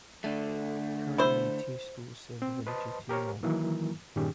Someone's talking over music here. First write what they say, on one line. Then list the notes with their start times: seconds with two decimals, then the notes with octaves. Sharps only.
Currently only two schools serve the village of Tumon.
0.24 D3 A3
1.18 E4 C5
2.42 C4
2.67 B4 C5 D#5 A5 C6
3.09 G4 A#4 C5 C#5
3.43 D#3 E3 F#3 A#3 E4 A#4
4.16 G2 A#2 D#3 C#4 G4 G#4